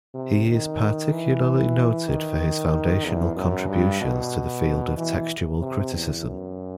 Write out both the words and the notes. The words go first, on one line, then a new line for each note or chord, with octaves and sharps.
He is particularly noted for his foundational contributions to the field of textual criticism.
C3
D#3
E3
D#3
E2
F#2
G2
B2
E3
C3
E2
F#2